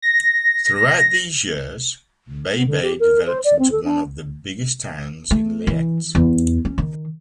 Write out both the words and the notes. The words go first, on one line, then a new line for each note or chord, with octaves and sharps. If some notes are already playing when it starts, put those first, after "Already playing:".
Throughout these years, Baybay developed into one of the biggest towns in Leyte.
A#6
B3
D3
G4
A#4
C5
D5
C4
A4
D4
A3
E3
E2
C#4
D#3